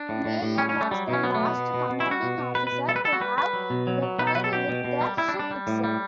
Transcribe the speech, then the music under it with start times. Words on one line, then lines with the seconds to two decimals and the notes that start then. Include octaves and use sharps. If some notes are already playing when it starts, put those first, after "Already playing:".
Meyer was the last commanding officer to have deployed with the ship itself.
Already playing: D4
0.09 A2
0.25 A2
0.42 A2
0.58 G3 C#4
0.69 C#4
0.75 G3
0.81 A3
0.91 F#3 G3
1.08 B2
1.13 C#4
1.23 F#3 B3
1.34 A3
1.40 B2 B3
1.57 B2
1.74 B2
1.89 B2
2.00 E4
2.07 G3 F#4
2.23 B2
2.38 B2
2.55 B2 B4
2.67 B4
2.72 B2
2.88 G3 A4
2.96 B4
3.05 G3 A4
3.13 F#4
3.20 G3 B4
3.37 G3 B4
3.53 F#3
3.70 B2
3.87 F#3
4.02 F#3
4.19 B2 B4
4.27 A4
4.35 F#3 B4
4.44 A4
4.52 B2 G4
4.69 B2
4.84 B2
5.01 G3
5.17 G3 E4
5.28 D4
5.34 G3
5.39 D4
5.51 G3
5.67 A2
5.84 G3